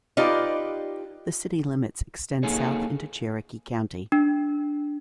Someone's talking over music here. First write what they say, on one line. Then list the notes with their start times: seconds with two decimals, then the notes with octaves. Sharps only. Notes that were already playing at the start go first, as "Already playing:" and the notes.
The city limits extend south into Cherokee County.
0.17 D#4 F4 G4 B4 D5 D#5
2.43 A#3 D#4 G#4 A4 C#5
4.12 D4